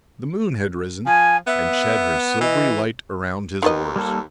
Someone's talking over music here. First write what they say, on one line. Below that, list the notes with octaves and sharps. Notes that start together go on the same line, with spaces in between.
The moon had risen, and shed her silvery light around his oars.
F3 G#5
B3 E5
E3 D#5
D#2 D#3 B3 D#5
G3 A#3 A4